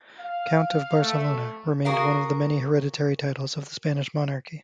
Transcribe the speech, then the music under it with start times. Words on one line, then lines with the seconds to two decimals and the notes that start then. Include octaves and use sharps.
"Count of Barcelona" remained one of the many hereditary titles of the Spanish monarchy.
0.19 F5
1.02 A3
1.85 F#4 G#4 A#4 F5